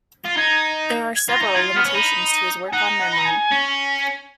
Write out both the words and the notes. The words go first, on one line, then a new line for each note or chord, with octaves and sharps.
There are several limitations to his work on memory.
F4
D#4 G#6
G#6
F4
A#6
D#4
F4 G#6
B3 F6
C#4
D#4 B5
G#5
D#4 F#5
F#5
B5
A#5
G#5
C#4